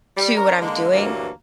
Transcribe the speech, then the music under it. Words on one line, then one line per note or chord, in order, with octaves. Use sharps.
to what I'm doing,
G3
C#4 D4 A#4
D3 G#3 A#3
D2 G2 E3 F#3 A#3